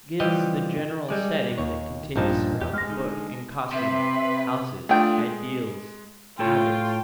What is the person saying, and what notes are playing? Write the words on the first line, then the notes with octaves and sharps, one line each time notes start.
It gives the general setting that continues throughout the book in costume, houses, ideals, habits.
E3 F3 G3 G4 D#5
G3 G#3 D5
D#2 C#5
A#1 G2 F3 D#4 A5
E2 G4
G#3 F6 A#6
D3 D#4
C3 B4 E5 C6
A3 D4 F4 G#4 G5
G#3
A2 F4 A4 C#5 G5